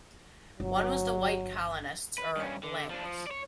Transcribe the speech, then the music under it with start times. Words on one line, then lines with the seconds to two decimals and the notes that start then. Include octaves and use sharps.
One was the white colonists, or "blancs".
0.60 G1 F#3
2.18 B4
2.36 G2 C#4
2.63 D3
2.90 F3 D4
3.04 F3
3.27 C#5 D5